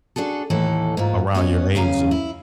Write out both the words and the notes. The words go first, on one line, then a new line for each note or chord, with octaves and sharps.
around your age and
D4 F#4 G#4 A4
D#2 A2 E3 A4 E5
G#2 A#3 F4
B3 C#4 F#4 C#5 D#5
F#2 C#3 C#4 F5 G#5 A#5
E4